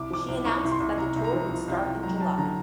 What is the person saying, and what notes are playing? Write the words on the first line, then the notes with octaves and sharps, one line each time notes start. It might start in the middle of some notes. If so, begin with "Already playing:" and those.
She announced that the tour would start in July.
Already playing: C2 D6
F3 D6
C2
C2 C#6
C2
C6
C2
C2 A#5
C2
A#5
F3
C2
C2
G5
C2
F#3 A#5
F#3 A5
D3 A#5